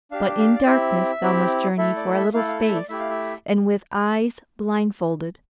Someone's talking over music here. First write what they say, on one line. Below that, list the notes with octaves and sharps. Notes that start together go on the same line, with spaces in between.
But in darkness thou must journey for a little space, and with eyes blindfolded.
D4 G4 F5
F5
D5
C4 E4 G4 E5
C4 E4 G4
A3 E4 A4 E5
D5
E5
A3 E4 A4 F5
F5
E5
D5
A3 E4 G4 E5
F5
E5